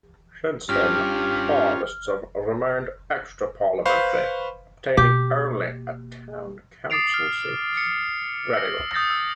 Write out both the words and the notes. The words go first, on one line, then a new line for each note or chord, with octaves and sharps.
Since then, Carlists have remained extra-parliamentary, obtaining only town council seats.
G2 C#4 F4 G4 F6
B4 C5 F5 B5 C#6
B2 A#3 G4
D6 D#6 A6 C7 D7 F7
F6
C#7
E6 A#6
D#6 G6 A6 A#6
E6